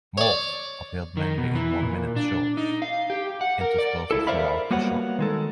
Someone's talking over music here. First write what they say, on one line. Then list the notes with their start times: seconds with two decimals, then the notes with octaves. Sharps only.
Morph appeared mainly in one-minute "shorts" interspersed throughout the show.
0.18 C#5 D5
1.17 D#3
1.38 B2
1.55 E3
1.82 A#2
2.16 D4
2.57 D#4
2.82 F5
3.10 G4
3.41 F#5
3.61 A#4
3.78 D5
4.11 C#2 E4 A4
4.27 A#4 C5 D5 E5 F5 B5
4.71 G3 A#3 B3 F#4 C#5 F#5
5.19 D#3 G#3 A4